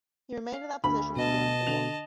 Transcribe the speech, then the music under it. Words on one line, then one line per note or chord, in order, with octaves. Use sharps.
He remained in that position until the end of the war.
F5
D2 B5
B2 D#5 A5
D3 F7